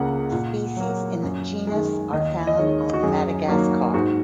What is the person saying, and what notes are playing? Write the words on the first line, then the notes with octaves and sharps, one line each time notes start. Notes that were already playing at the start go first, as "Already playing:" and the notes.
Species in the genus are found on Madagascar.
Already playing: C#2 C#3 A#3 F#5
A#2
F#3 A#3
F#2
D#3 G#3
D#2 D#5
D#5
D#3 G#3 C#5
F#4
F#2 G#4
D#3 F#3 A#3 F#4
G#2 F#4